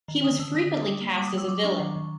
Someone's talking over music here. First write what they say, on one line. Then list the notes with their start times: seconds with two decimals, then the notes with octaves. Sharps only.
He was frequently cast as a villain.
0.08 D#3
0.24 D3 D#6
0.39 D3 E6
0.55 D3 D#6
0.71 D4
0.87 G3
1.01 A#3
1.17 G3 D6
1.27 D#6
1.34 G3 E6
1.48 F#3 D6
1.64 D4 C#6
1.80 D#3
1.96 D#3